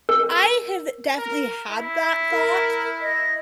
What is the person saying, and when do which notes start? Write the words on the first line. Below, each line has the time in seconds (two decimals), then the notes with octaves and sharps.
I have definitely had that thought
0.09 A#4
1.18 A#4
1.70 E4
2.31 A#4
3.01 D#5